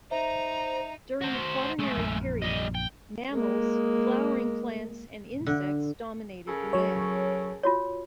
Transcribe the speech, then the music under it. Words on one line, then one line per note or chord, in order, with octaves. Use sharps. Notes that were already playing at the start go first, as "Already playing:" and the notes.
During the Quaternary Period, mammals, flowering plants, and insects dominated the land.
D#4 C5 E5 A#5
F#4 C5
G#3 A3
A#1 F#2
G3 D#5
G5
G#3 A#3
D3
C#3 A4 A#4
F#3 C#5
F4 F#4 C#5